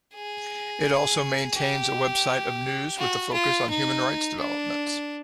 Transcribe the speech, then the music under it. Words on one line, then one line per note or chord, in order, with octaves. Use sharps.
It also maintains a website of news with a focus on human rights developments.
G#4
G4
F#4
F4
D#4
D4